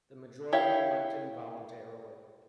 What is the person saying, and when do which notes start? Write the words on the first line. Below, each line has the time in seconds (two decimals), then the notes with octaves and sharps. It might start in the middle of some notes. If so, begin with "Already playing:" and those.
The majority went in voluntarily.
0.52 E4 G4 C#5 E5 F5